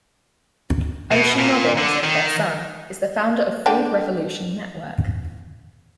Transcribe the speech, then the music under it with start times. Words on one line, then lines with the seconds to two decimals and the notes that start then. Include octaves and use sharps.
Ocean Robbins, their son, is the founder of Food Revolution Network.
1.12 B2
1.39 A#2
1.78 D3
2.04 D#3
3.66 D3 D4 G5